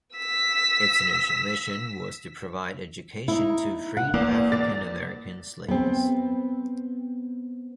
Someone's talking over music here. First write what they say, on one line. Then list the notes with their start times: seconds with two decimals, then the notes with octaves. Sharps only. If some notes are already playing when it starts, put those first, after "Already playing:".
Its initial mission was to provide education to freed African American slaves.
0.17 E6 B6
3.28 D#4 E4
3.97 F#5
4.14 E2 A#3
4.52 D5 A6
5.68 B3 C4